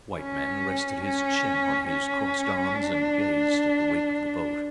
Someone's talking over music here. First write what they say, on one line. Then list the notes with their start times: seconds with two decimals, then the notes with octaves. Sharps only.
The white man rested his chin on his crossed arms and gazed at the wake of the boat.
0.19 C#4
1.04 C#4
1.89 C#4
2.75 D4